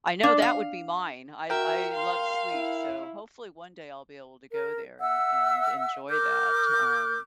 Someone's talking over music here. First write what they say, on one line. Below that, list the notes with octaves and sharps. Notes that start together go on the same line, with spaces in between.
I know that would be mine, I I love sweets, so hopefully one day I'll be able to go there and and enjoy that, um,
D4
F5
F#4 A#4 E5 G5
F5 C6
E4
A#4
E5 F#5 E6
A#4 D6 F6 G6